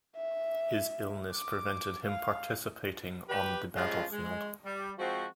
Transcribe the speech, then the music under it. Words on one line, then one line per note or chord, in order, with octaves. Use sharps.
His illness prevented him participating on the battlefield.
E5
D6
F5
G4 B4
F3 G3 G#3 C#4 F4
G#3
G3
F3 G#3 C4 F#4